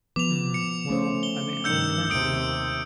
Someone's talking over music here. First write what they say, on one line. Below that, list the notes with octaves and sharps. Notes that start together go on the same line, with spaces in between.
Hmm, well, I mean I mean, currently,
F3 B3 B4 D6 F7
C#7
A3 C#4 C5
G7
G2 D#3 E6 G6 C#7
D#2 C3 D#6 D7